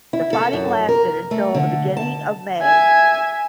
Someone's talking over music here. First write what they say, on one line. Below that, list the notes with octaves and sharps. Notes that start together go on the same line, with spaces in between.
The fighting lasted until the beginning of May.
E4
A4
F#2
A#4
A3
D3
A5
E5 G#5